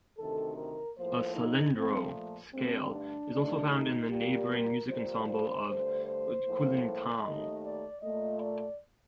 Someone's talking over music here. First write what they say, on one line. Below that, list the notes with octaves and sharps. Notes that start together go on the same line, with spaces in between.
A "salendro" scale is also found in the neighboring musical ensemble of Kulintang.
D2 C3 D#3 A4
A#4
A2 F3 A#3 C5
D#4
A#2 F3 A3 C4
G2 D3 A3 C4
D4
D#2 D#3 A3 D4
D#4
A#2 G3 A#3 G4
A#4
A#2 G3 A#3 C5
C5
G2 D3 A3 C5
C5
A2 F3 A#3
D#2 D#3 A3 D#5
D5
A#2 A3 D#5
D5